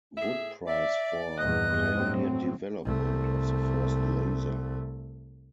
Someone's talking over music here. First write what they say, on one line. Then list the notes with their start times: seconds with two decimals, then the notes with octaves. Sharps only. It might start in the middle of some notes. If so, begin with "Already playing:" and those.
Wood Prize for "Pioneer Development of the First Laser".
0.18 A2 G#4 E5
0.66 D5 E5
1.38 E2 G2 A#2 D#5 F#6
1.93 A2 F#3 C4
2.84 C2 A3